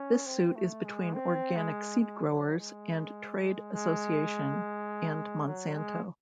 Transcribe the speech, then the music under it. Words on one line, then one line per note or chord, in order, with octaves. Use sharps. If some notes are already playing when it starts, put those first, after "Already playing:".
This suit is between Organic Seed Growers and Trade Association and Monsanto.
Already playing: C#4
C4
A3
G#3
C4
G#3
G#3
F#3
G#3
G#3
F#3
G#3